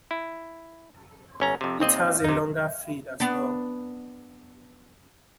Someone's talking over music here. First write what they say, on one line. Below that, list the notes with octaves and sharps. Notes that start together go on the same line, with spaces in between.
It has a longer fade as well.
E4
G1 C#4 A#5
F2 C3
D#2 C4 D#5
C3 D#4
B3 D4